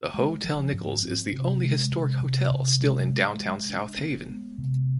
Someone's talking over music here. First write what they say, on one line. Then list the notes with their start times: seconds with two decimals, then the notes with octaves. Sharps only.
The Hotel Nichols is the only historic hotel still in downtown South Haven.
0.14 G#3
0.44 F3
0.73 G#2
1.03 C4
1.32 C3
1.62 G#3
1.92 C3
2.21 C3
2.51 C3
2.80 G#3
3.10 G#3
3.40 G#3
3.69 D4
3.99 B3
4.29 G#3
4.58 C3